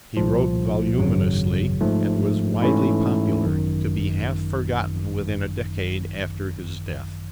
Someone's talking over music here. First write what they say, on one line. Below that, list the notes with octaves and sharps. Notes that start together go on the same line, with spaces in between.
He wrote voluminously and was widely popular, to be half forgotten within a decade after his death.
C2 A#2 F3
G#1 F#2 C#3 F#3
G#2 F3 A3
G#2 E3 A3 C#4 E4
G#1 F#2 D#3